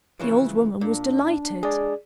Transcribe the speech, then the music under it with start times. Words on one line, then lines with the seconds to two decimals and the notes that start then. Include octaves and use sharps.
The old woman was delighted.
0.19 C#3 E3 F3
0.81 A#2 D4
1.63 G#3 G#4 D5